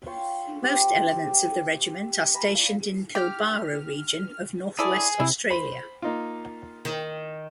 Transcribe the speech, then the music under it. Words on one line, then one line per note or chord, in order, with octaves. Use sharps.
Most elements of the regiment are stationed in Pilbara region of north-west Australia.
F4 C#5 G5 C6
C4 G4
G4
G#5 A#5 B5
D5 F5
G4 F6
E4 G#4 A4 D5
C3 E4
C5 B5
A#3 D#4 F4
D#3